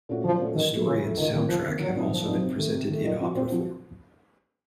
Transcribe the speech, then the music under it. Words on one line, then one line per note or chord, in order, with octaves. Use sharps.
The story and soundtrack have also been presented in opera form.
A#2 A3 C#4 F#4
A#1 F3
A#2 A3 C#4 F#4
A1 D#3
A2 A3
A1 C#3
A2 A3
C#2 D#3
C3 D#3 A#3
C#2 F3
C3 D#3 A#3
A#1 F#3
A#2 F#3 C4 D#4
A#1 F3
A#2 F#3 C4 D#4
C3
D#3 A3
C3
D#3 A3
A#2 D#3
F3 C4 F#4
A#2 C4
F3 C4 F#4